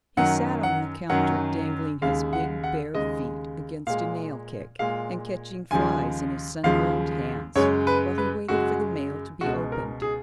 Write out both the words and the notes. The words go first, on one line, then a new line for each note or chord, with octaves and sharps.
He sat on the counter dangling his big bare feet against a nail-keg, and catching flies in his sunburned hands, while he waited for the mail to be opened.
F#2 D#3 F#3 F#5
F#5
F#2 D#3 F#3 F#5
D#2 C#3 G#3 F5
F#5
F#5
D#2 C#3 G#3 D#5
A#2 G#3 F5
A#2 G#3 F5
D#2 C#3 F3 G#3 G#5
D#2 C#3 F3 G#3 F5
F#2 C#3 G#3 C#5
B4
B4
F#2 C#3 G#3 F#4
C#2 B2 G#3 F#4
A#4
G#4